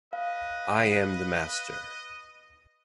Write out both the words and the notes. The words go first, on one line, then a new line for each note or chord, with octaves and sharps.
I am the Master.
B4 D#5 F5